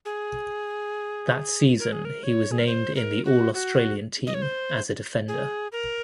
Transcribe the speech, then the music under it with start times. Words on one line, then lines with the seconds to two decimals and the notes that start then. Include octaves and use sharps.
That season, he was named in the All-Australian team as a defender.
0.05 G#4
1.80 A#4
1.92 G#4
2.05 A#4
2.23 C#5
2.51 G#4
2.59 A#4
2.67 C5
2.96 A#4
3.25 F#4
3.54 F#4
4.27 D#5
4.34 C#5
4.42 C5
5.28 G#4
5.72 A#4